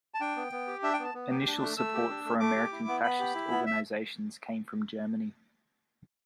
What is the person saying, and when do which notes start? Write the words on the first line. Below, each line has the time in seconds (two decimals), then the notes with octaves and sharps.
Initial support for American fascist organizations came from Germany.
0.14 A5
0.21 D4 G5
0.36 B3
0.52 B3
0.67 G4
0.83 D4 E5
0.94 G5
0.99 B3 A5
1.14 B3
1.30 G4
1.47 D4
1.62 A3
1.77 A3 E6
1.94 G4
2.10 D4
2.25 A3
2.40 A3 D6
2.56 G4
2.72 E4
2.88 B3
3.04 B3 B5
3.20 G4
3.35 E4
3.51 B3
3.66 E5